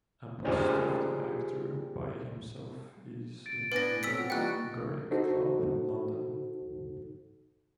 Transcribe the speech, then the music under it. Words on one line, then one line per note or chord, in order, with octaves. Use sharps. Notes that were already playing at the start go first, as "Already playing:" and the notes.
A bust of the actor by himself is in the Garrick Club, London.
D#4 F4 G4 G#4 C5 D5
A6 D7
B3 D4 B4 G#5 A6 A#6
B1 C4 A#5 E6 B6 D7
F4 F#5
E3 G3 A#3 D#4 G5 C#6 F#6
D#4 F#4 A4 C5